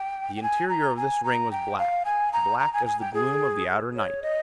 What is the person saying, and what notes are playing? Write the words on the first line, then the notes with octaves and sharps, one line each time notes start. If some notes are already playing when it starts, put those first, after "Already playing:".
The interior of this ring was black, black as the gloom of the outer night.
Already playing: G5
G5
G#5
A#5
G#5
A#5
G5
F5
G#5
A#5
A#5
G#5
G#5
G5
G#4
C#5
D#5